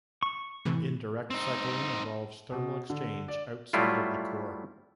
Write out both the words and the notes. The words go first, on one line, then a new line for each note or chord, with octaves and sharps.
Indirect cycling involves thermal exchange outside of the core.
C#6
A2 C3 E3
C4 D#4
B2
D3
D5
F#3 G3 A3 E4 F4